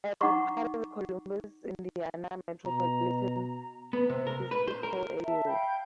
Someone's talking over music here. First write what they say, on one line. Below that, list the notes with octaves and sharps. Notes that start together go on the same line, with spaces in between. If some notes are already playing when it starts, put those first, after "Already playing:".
It is part of the Columbus, Indiana metropolitan statistical area.
D#4 F#5 A#5 C#6 D6
B2 A#5
B3
C3
A#4
B4
C5
A#4
E5 A5
F5 G5 B5 G6